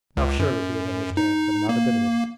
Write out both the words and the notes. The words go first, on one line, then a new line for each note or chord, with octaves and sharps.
Now surely he would understand; but not a bit of it.
C#2
F#2
D#4
A#3